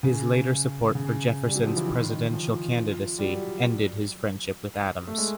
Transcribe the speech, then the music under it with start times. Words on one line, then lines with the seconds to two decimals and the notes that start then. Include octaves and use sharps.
His later support for Jefferson's presidential candidacy ended his friendship with Adams.
0.03 C#3
0.95 C#3
1.45 G3
1.56 F#3
1.66 F3
1.76 E3
1.87 D#3
2.10 D#3
2.33 F3
3.18 G3
3.24 F#3
5.07 A3
5.18 G#3